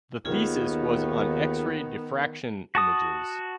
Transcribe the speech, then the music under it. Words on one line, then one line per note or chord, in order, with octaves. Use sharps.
The thesis was on X-ray diffraction images.
D#2 D#3 B3 F4 G#4
F#4 A5 D#6